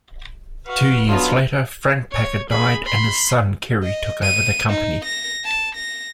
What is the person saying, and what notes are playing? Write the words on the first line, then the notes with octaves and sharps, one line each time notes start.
Two years later, Frank Packer died, and his son Kerry took over the company.
F#4 B4 F5
D3 F#3 B3 D#4 F4
C#5
G#4 B5
B5 C6
D#5
D#7
D#4
A#6
A5
A#6